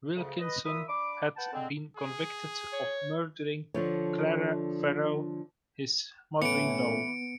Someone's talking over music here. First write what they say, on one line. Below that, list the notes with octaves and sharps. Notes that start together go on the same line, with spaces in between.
Wilkinson had been convicted of murdering Clara Farrell, his mother-in-law.
D2 C#3
B4 D#5
A#2 E5 B5 D#6
D4 B5 D6
B4 F#5 G5 A5
D3 G#3 C4
G#4
C#5
D3 F3 C#5
A2 E3 A3 B3 C#4 C#7 D7